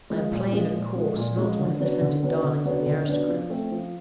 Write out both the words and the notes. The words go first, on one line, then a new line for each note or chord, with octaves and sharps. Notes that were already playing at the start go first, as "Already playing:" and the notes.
'I am plain and coarse, not one of the scented darlings of the aristocrats.
F3 G#3
A#2
F3 G#3
A#2
F3 G#3
A#2
F3 G#3
D3
F#3 B3 D4
D3
F#3 B3 D4
D3
F#3 B3 D4
D3
F#3 B3 D4
F3
A3 C4
F3